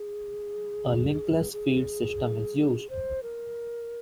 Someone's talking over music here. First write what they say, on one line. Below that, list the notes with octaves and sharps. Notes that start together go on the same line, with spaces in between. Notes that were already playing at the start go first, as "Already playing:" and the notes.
A linkless feed system is used.
Already playing: G#4
G#4
C5
A#4